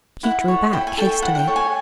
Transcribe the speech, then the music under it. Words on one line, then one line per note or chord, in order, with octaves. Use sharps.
She drew back hastily.
E4 F#5
A4 C#5
E4 G5
G#5
A4 C#5 G5
E4 F#5
F#5
G5
A4 C#5
G#5